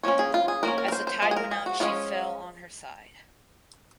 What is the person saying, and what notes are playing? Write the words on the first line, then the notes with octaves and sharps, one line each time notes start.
As the tide went out she fell on her side.
F3 A#3 C#4 C#5
G#4
F4
G#4
F3 A#3 C#4 A#4
A#4
A#4
C5
C5
F3 G#3
G#4
A#4
G#4
F#4
F3 G#3 C#4 F4